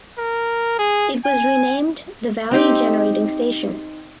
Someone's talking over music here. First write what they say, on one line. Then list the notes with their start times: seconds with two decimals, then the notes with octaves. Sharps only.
It was renamed the Valley Generating Station.
0.18 A#4
0.79 G#4
1.25 G#5
2.51 C4 D#4 G4